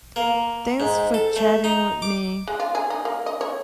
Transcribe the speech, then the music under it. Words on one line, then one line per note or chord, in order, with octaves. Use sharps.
Thanks for chatting with me.
A#3
G#2
A4
A3
D#4
D6
G#3
F4
G#4
D#4
A#3
D#5
C#5